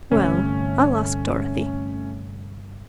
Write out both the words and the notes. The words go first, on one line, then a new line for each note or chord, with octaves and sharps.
"Well, I'll ask Dorothy."
G1 C3 A3 C#4